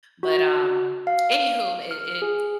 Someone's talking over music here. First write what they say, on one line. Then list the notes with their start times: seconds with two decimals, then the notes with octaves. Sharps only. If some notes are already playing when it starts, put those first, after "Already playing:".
but, um. Any whom, it it
0.23 F#4
1.07 F5
1.91 F6
2.22 G#4